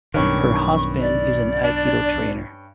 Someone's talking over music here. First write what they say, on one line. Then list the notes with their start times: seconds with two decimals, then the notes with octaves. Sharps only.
Her husband is an aikido trainer.
0.14 B1 G2 D#3 C#4 C#6
1.00 D5
1.64 D4